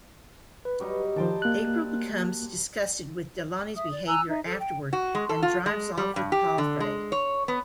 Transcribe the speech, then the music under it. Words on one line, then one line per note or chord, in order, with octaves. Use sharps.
April becomes disgusted with Delauney's behaviour afterward and drives off with Palfrey.
B4
F#3 G3 D#4
D#3 F3 C5 G5 A5
A#3 F#6
E5 D#6
D5
G#5 A#5 E6 F#6
D#4 E5
A4 C5
G5
F#4
G#3
A4
F4
G#3
G3
G2
G4
D3
G#3
C#5
B3